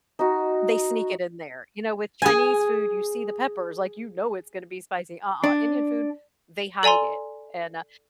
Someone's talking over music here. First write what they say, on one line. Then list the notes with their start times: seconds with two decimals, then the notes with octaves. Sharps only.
they sneak it in there. You know, with Chinese food, you see the peppers, like, you know it's gonna be spicy. Uh-uh, Indian food; they hide it and, uh
0.19 D#4 F#4
2.22 G#4 G#5
5.44 D4
6.83 A4 D5 G#5 A#5 C6